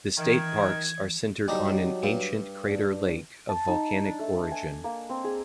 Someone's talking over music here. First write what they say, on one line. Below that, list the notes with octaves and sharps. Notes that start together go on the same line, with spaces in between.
The state park's are centered on an ancient crater lake of volcanic origin.
D#3 E3 G#6
F#3 G3 D4 D#4
G2
D4
A5
D#4
D4
A3
G#5
A#3
C4
G#4